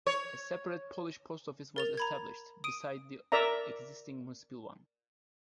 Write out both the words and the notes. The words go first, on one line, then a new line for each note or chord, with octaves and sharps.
A separate Polish post office was established, besides the existing municipal one.
C#5
A#4 A6 F7
A#5 B5 G#6
D#6 D7 D#7
A#4 D5 E5 A#5